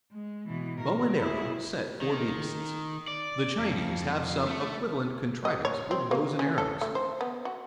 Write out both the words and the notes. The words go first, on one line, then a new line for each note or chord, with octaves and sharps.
Bow and Arrow set for Beasts.--The Chinese have some equivalent contrivance with bows and arrows.
G#3
B2 E3
A#4
E4 G#4
D#3
D5
F2
A3
D#5
C#5
C4
A#3
C#4
A4
A3
C5
B3
F#4